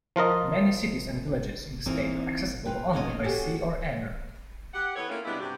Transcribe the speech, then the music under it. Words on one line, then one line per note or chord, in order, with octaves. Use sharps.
Many cities and villages in the state are accessible only by sea or air.
F3 F4 A#4 D#5
E3 A#3 C4 D#4 F4
F4 B4 G5
A#3 B3 C#4 D#4 E4 D#5
F#4 G4 A4 C#5 F#5 G#5
G4 F#5
E3 B3 A4 C#5
A3 A#3 C4 C#4 E4 F4
C3 G3 G#3 B3 D4 E4
G2 C3 F#4 G4